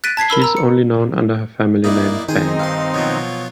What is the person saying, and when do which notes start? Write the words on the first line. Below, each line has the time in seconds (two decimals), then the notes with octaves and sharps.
She is only known under her family name Fang.
0.04 F#6 A6 B6 D7 D#7
0.17 A5 G#6 B6 C7
0.30 A#4 B5 E6
0.42 A#5 E6
0.57 C#7
1.84 F#2 A#3 D#4 E4 D5
2.29 D#3 C4 D#4 G#4 C5 G#5
2.59 G2 F5 C6
2.94 B2 F3 F#3 F4 C#5